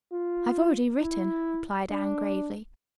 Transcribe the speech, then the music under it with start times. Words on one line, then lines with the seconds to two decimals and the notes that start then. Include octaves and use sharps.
"I have already written," replied Anne gravely.
0.12 F4
1.01 E4
1.90 D4